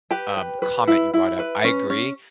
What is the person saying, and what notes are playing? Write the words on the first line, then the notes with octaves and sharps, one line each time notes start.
um, comment you brought up. I agree,
G4 B4 G5
B4
B4
E4
E4
B4
C#4
C#4